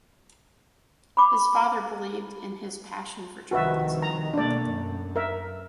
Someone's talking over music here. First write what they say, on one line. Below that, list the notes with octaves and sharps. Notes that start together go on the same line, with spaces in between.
His father believed in his passion for journalism.
B5 D6
C2 D#3 F3 F#4 B4 E5
A#5
B2 A3 A#3 D4 D5
F#2
A#4 E5